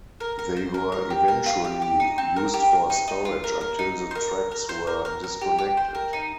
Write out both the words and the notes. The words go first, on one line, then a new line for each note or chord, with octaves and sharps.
They were eventually used for storage until the tracks were disconnected.
A#4
A#4
C5
A#4
A#4
G4
A#4
F4
G4
G4
D#4
C4
A#4
G4
A#4
D#4
D#4
F4
A#4
A#4
D#4
C5
A#4
A#4
C5
A#4
A#4
A#4
G4
G4
C5
A#4
D#4